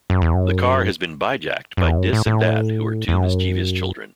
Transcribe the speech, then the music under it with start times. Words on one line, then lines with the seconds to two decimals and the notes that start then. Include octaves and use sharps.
The car has been bijacked by "Dis" and "Dat", who are two mischievous children.
0.10 F#2
0.22 E2
0.34 F#2
1.77 F#2
1.84 E2
1.98 F#2
2.13 A2
2.26 A2
3.08 E2
3.14 F#2